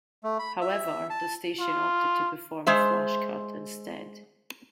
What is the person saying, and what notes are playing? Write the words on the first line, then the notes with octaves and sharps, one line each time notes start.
However, the station opted to perform a flash-cut instead.
A3
B5
E5
A5
F4
G#3 C5 E5